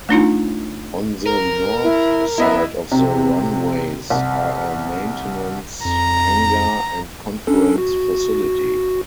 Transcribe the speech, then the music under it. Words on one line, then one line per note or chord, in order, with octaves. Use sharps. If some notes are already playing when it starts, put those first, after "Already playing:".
On the north side of the runways are a maintenance hangar and conference facility.
A3 D4 D#4 F4
A#4
E4
B3 E4 D#5 E5
C3
C2
F2 A#5
C#4 D4 A4
F#4